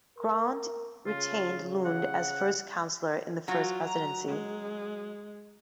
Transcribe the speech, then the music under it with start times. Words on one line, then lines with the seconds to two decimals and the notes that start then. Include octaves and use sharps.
Grant retained Lund as first counselor in the First Presidency.
0.18 A#4
1.06 C#3 F4
1.85 F#5
3.48 F#3 F4 F#4
3.85 A#5
4.29 G#3